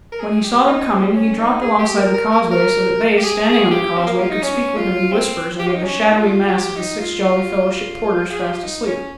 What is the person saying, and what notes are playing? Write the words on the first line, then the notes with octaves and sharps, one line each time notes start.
When he saw them coming, he dropped alongside the causeway; so that they, standing on the causeway, could speak with him in whispers, under the shadowy mass of the Six Jolly Fellowship Porters fast asleep.
A#4
G#4
G4
D#4
C4
C#4
D#4
G#4
G4
A#4
A#4
A#4
A#4
G4
G#4
G#4
G4
C4
A#3
F4
D#4
C#4
F4
C4
G4
F4
D#4
C#4
D#4
F4
F4
G4
D#4
F4
G#4
G4
F4
D#4
C#4